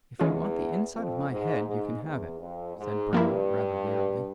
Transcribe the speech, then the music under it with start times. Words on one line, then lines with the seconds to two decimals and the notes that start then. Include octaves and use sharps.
"If you want the inside of my head you can have it," said Brown rather wearily.
0.19 E2 E3 G#3 C#4 F4
0.94 F2
1.30 G#2
1.66 G#2
2.03 E2
2.39 F2
2.76 G#2
3.13 G2 F3 A#3 E4